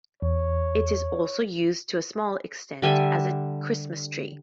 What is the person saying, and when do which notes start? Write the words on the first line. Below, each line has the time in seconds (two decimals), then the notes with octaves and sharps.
It is also used to a small extent as a Christmas tree.
0.22 E2 C#5
2.82 D3 G3 E5 G#5